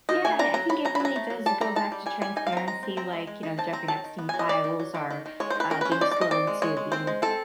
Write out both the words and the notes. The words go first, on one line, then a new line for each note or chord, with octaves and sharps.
Yeah, and I think it really does go back to transparency, like, you know, the Jeffrey Epstein files are, uh, being slow to being
D#3 D#5
A3 G#5
D4 A#5
F#3 A#5
F#3 B5
F#3 A#5
B5
F#3 A#5
A3
F#3
G3 A5
G3 A#5
D#4 A5
G3
G3 G#5
G3 G#5
D#4 G#5
F5
C4 A#5
G#3 A#5
C4
C4 A#5
G#3
G#3
D#4
C4 A5
C4 A#5
F#3 A5
D#3
B3
F#3 G#5
D#5
D#3 D5
D#3
F#3
D#3
D#3
D#3
G#3 C#5
C5
D#3 B4
C#4 A#4
C#4 B4
C5
D#3 D5
D5
D#3 D#5
C4 D5
G#3
G#3 C#5
G#3
C4 C5
G#3
C4 A4